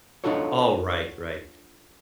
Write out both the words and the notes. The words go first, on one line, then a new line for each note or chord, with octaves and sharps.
Alright, right.
D4 D#4 F4 F#4 A4 C#5